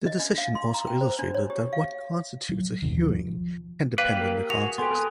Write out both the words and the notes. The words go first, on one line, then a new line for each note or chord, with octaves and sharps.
The decision also illustrated that what constitutes a "hearing" can depend on the context.
D#5
D4
F5
C6
A#5
G5
C5
D4
C#5
G4
F5
F#3
F#1 D#2 B2 D#3
F3
A#3 G4 B4 D5 F5
A#4
F#4 G#4 F7
B3 G4 A4 G#5 C6
A#4 B4 D#6